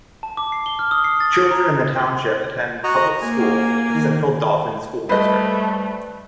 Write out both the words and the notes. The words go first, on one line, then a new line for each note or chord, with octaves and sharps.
Children in the township attend public school the Central Dauphin School District.
A5
D6
C7
G7
F6
D#6
C7
A6
G#6
A#5
F#4 D#5 A#5
A#3 G#5
D#3
G3 A3 B4 C5 D#5